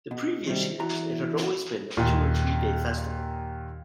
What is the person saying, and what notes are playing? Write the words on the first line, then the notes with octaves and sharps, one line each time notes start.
The previous years it had always been a two- or three-day festival.
B2
C3 D#3 F#3 G3
E2 E4 F#4 A#5
D#2 A#2